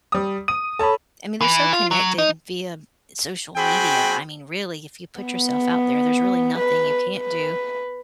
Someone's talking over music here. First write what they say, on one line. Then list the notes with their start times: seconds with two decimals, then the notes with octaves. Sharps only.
I mean they're so connected via social media. I mean really if you put yourself out there, there's really nothing you can't do.
0.12 G3 D#6
0.48 D#6 D#7
0.79 A4 C#5 A5 B5
1.41 E3
1.73 F4
1.91 F#3
2.18 D#4
3.56 C4 F#4 G#4 G5 B5
5.21 B3
6.59 B4
7.19 B4